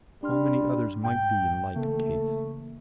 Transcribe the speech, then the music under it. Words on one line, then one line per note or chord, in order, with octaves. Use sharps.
How many others might be in like case!
G3 D4 C6 F6
G#2 G5
C#3 E3 A3 A#3